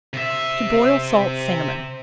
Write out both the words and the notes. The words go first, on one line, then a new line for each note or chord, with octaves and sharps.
To Boil Salt Salmon.
C3 E5